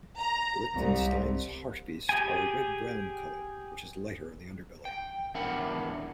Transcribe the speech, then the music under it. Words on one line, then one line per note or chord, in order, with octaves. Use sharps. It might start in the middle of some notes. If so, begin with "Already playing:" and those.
Lichtenstein's hartebeest are a red brown colour, which is lighter on the underbelly.
A#5
C2
G4 G#4 G5 G#5
G5
E2 D4 A#4 E5 F#5 B5